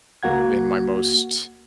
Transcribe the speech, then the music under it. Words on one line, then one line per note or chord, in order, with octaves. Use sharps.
in my most
C#2 A#3 F#4 F#5 G#6